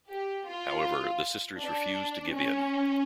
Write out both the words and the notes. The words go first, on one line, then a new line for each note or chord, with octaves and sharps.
However, the sisters refuse to give in.
G4
F4
D4
C#4